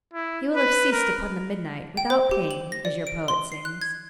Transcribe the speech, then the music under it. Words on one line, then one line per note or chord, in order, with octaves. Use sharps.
He will have ceased upon the midnight without pain, as your poet sings.'
E4
B4
A#4
G5
C5
G4
F#7
A#6
D5
D7
C6
C7
F#6
G#6